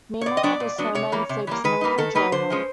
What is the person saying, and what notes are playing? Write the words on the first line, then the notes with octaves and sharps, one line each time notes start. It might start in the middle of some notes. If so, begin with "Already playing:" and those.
Meanwhile, the snowman sleeps in the refrigerator.
C#5
A#2 D5
D#5
F#3 B3 D4 D5
A#2
F#3 B3 D4
C3 C#5
E3 G3 A#3
C3
E3 G3 A#3
D#3 B4
G3 A#3 D#4
D#3 A4
G3 A#3 D#4 B4
D3 C5
F3 G#3 C#4